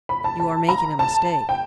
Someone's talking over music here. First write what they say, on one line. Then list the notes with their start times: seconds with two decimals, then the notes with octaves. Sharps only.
"You are making a mistake."
0.09 B5
0.24 A5
0.40 A5
0.69 A#5
0.99 A5
1.49 G5